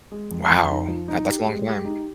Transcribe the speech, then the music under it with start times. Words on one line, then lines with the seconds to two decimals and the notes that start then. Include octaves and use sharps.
Wow. That that's a long time.
0.12 G#3
0.31 F2
0.49 F2
0.69 D#4
0.88 F3
1.08 D#4
1.27 G4
1.46 G#3
1.66 G4
1.85 D#4